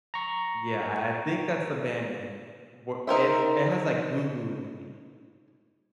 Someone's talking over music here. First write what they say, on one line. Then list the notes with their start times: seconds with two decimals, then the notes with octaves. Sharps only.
Yeah, I I think that's the band name. W it's it has, like, Goo Goo in the name.
0.14 A#5 C#6
3.07 D#4 A#4 C5 E5